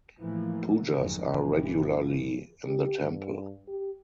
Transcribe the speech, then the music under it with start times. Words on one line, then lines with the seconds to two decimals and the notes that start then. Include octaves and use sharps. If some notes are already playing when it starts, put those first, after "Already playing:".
Pujas are regularly in the temple.
0.20 A2 E3 F3 A3 A#3
0.95 G#1 F2 D#3 F#3 G#3
1.32 G1 B2 E3 F3
2.67 G4
3.02 G2
3.68 G4